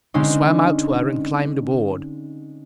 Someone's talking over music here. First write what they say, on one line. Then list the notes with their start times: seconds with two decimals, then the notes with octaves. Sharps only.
We swam out to her and climbed aboard.
0.14 D3 G#3 C4 C#4 D#4